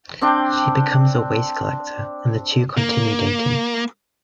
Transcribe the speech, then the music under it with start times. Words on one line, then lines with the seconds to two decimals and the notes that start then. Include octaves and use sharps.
She becomes a waste collector and the two continue dating.
0.21 C4 D4 G5
2.77 A#3